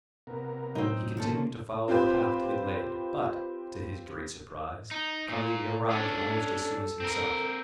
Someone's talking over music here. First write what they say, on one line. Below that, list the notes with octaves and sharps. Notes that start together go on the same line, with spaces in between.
He continued to follow the path to the glade; but, to his great surprise, Carlini arrived almost as soon as himself.
C3 B3 A#4
A2 F#3 C4 D#4
D#3 F3 A#3 C#4 A4
C4 F4 G4 B4 C5
D#4
A#2
C#4 D4 A4
C4 A#4